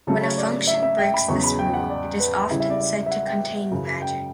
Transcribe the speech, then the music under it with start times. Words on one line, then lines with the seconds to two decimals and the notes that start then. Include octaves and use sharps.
When a function breaks this rule, it is often said to contain "magic".
0.07 C#3 F#3 A3 A4
0.23 C#5
0.38 D5
0.67 E5
0.83 E5
0.98 G5
1.14 B5
1.28 E2 C#3 F#3 C#4 C#6
1.44 B5
1.59 G5
1.74 F#5
1.90 D5
2.20 B4
2.50 C#3 G3 C#4 E4
2.60 E5
2.70 D5
2.81 D5
3.06 E5
3.11 F#5
3.26 G5
3.72 F#2 C#3 F#3
4.02 G5